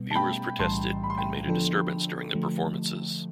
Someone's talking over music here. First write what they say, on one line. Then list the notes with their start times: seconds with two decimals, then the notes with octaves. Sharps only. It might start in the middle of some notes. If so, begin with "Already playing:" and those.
Viewers protested and made a disturbance during the performances.
Already playing: B2 G3 B3
0.11 A5
0.15 G5 B5
0.59 B1 A2 E3 G3 A5 C6
1.04 B5
1.10 C6
1.17 G5 B5
1.47 D3 F3 B3 D4 A4
2.34 D3 F3 A3